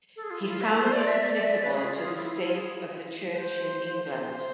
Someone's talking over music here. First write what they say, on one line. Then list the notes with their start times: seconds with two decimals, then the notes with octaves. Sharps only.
He found it applicable to the state of the church in England.
0.16 A4
0.23 G#4
0.30 F4
0.40 E4
0.51 F4
0.62 E5
0.82 C5
0.92 D5
1.07 E5
1.23 D5
1.33 D5
1.43 E5
1.53 D5
1.64 B4
1.74 G#4
1.84 F4
1.94 G#4
2.05 F4
2.15 E4
2.31 E4
2.46 F4
2.56 G#4
3.31 B4
3.38 C5
4.30 C5